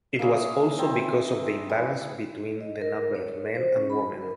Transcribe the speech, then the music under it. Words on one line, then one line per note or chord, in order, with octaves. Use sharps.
It was also because of the imbalance between the number of men and women.
A#3 E4 G#4 C#5
D#3 E3 C4
E3
D#5
A#4
C#5
C5
C#4
B5
A#4